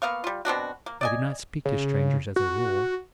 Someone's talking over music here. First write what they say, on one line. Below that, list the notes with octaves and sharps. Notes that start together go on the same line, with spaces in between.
I do not speak to strangers as a rule.
A#3 B3 F5 C#6
G3 F4
B2 C4 D4 F#4
A#3
D5 D#5 G#5
C#3
F#4